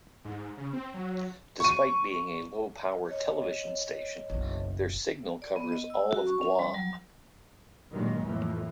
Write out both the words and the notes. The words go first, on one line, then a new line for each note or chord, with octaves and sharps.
Despite being a low-power television station, their signal covers all of Guam.
G#2
C#3
C4
F#3
C#6 D#7
C#5 D#5
F#1 B1
D5
B3
D#5
E6
F#4
C#6
C#4
G3
F#3
G2 A#2 D#3 F#3 G#3 A#3
F2 A2 E3 A#3